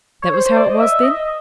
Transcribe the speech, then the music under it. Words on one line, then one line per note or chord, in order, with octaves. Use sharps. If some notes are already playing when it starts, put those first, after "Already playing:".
'That was how it was, then?'
C#5
C5
C5
D5
D#5
E5
D#5